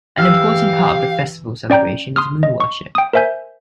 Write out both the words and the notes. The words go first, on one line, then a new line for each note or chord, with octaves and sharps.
An important part of the festival celebration is moon worship.
E3 G4 F5 E6 F6
C#4 D5 G5 A#5 G6
C6 D#6 F6
D#5
C#6
G5 D#6
A#4 C5 E5 G#5 G6